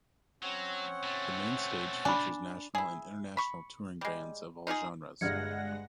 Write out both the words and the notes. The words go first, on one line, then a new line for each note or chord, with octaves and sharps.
The Main Stage features national and international touring bands of all genres.
F#3 C4 C#4 F#5
B2 A3
D4 G#5 B5
E4 G#4
B5 C#6
G3 G#3
D#4 F4 G4 G#4
G1 G2 G#3 F#5 F6 G#6 A#6 C#7